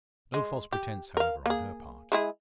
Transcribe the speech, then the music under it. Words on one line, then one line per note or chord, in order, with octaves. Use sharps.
No false pretence, however, on her part.
G#3
G4
A#4 F5
A#3 G#4
G#3 E4 G#4